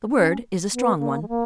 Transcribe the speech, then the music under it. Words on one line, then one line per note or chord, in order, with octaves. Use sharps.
The word is a strong one.
C#4
B3
A#3
G#3
A#3